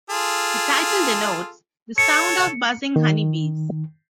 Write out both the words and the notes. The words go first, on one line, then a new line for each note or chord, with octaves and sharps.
The title denotes the sound of buzzing honey bees.
F4 G#4 A4
A4 C#5 C#7
D#3